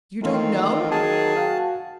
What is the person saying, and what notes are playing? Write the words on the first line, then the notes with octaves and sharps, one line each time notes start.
You don't know!
D#3 E3 A3 C4 F4 A4
F#3 A#3 G#4 A5
F#4 F5 G5